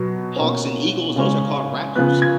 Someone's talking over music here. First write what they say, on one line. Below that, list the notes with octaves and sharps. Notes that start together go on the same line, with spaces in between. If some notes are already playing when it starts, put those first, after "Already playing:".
hawks and eagles, those are called raptors.
Already playing: B2 F#3 B3
B2 A#3 C#4
C#3 G#3 C#4
C#3 F3 B3 F#6
G#6